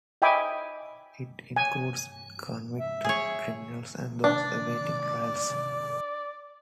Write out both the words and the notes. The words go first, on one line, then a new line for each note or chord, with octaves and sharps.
It includes convicted criminals and those awaiting trials.
D#5 E5 G5 G#5 B5 D6
G#5
E5
G#4 C#5
D4 D5